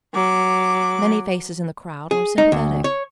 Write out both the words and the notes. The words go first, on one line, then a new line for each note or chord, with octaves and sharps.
Many faces in the crowd were sympathetic.
F#3 D6
G#4
D#4
D2
C#5